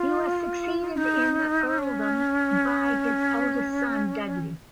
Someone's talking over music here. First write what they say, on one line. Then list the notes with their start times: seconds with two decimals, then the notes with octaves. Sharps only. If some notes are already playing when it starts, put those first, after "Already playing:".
He was succeeded in the earldom by his eldest son, Dudley.
Already playing: F4
0.94 F4
0.97 D#4
1.79 D4
1.83 C#4